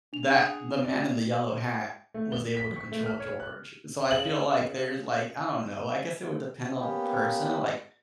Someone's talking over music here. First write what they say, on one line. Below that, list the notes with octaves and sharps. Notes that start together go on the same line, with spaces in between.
that the man in the yellow hat was able to control George, so, I feel, like, there's, like I don't know, I guess it would depend on the person, like,
D4 F7
G#4 F#5
C3 D5
A3
G7
B6
C#6
A3
F6
C#5
F#6
C#3 F#7
A#3 B3 C#4 G4